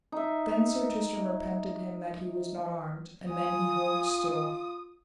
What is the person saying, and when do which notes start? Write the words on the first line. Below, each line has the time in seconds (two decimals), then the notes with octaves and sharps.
Then Sir Tristram repented him that he was not armed, and then he hoved still.
0.12 D#4 E5
3.30 F4 G#5 D#6